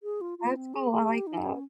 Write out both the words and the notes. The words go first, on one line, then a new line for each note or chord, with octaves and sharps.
That's cool, I like that.
G#4
F4
F4
C4
G#4
G#4
G4
D#4
C#4